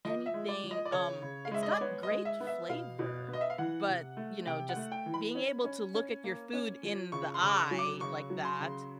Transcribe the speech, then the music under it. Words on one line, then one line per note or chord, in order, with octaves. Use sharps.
anything, um, it's got great flavor, but, you know, just being able to look at your food in the eye like that,
F3 D#5
E5
G#3
D5
F3
D#5
D5
C#3 C#5
C#3
F5
G#3 E5
D#5
D5
B3 C#5
D#5
G#3
E5
B3
E5
B2 F5
B2
B3
D#5
E5
F5
E3 F#5
C3
A3
C3 G5
F#5
A3
G5
E3
B5
C#4
C#4
C#4
A#3
C#4
F3
C#3 C#6
C6
C#3
D6
C#6
F#3
D6
C#3 C#6
F#3
C6
C#3